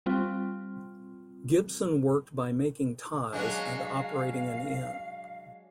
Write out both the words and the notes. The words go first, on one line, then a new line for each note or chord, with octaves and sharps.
Gibson worked by making ties and operating an inn.
G3 C4 F4
F#3 G#3 D4 F5